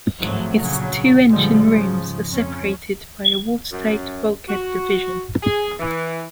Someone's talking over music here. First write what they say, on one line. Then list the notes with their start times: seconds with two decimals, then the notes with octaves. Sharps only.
Its two engine rooms are separated by a watertight bulkhead division.
0.21 G#1 A2 F3 F#3 A3
0.62 A#1 C#3 F#3
1.29 A#2 D3 F3 G3 G#3
1.67 G#2 C#3 F3
2.31 F2 C#4
3.72 F#2
4.48 F#4
5.42 G#4
5.80 E3